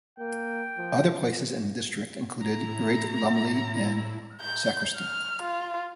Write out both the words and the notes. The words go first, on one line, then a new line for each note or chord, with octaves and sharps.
Other places in the district included Great Lumley and Sacriston.
A#3 G5
F3
A2 E4 A#5
G6
F6
F4